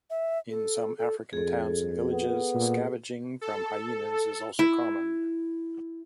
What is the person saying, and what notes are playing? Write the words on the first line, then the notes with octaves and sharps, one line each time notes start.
In some African towns and villages, scavenging from hyenas is also common.
E5
A4
A4
F2 G#4 A4
B3
A#2
A4
E4